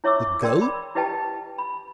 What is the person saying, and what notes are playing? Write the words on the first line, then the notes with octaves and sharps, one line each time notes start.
"The goat?"
E4 C#5 E5 C#6 D6 E6
G#4 A#4 D5 G5 C6 E6
B5
E4 G4 B4 D#5 G5 A5
B5